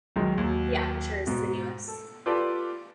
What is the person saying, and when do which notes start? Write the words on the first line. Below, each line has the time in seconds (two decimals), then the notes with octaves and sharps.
The aperture is sinuous.
0.16 B1 D#3 G#3
0.38 D#2 F#3
1.27 G#2 B2
1.88 A4
2.26 F4 G4 A4 B4 D5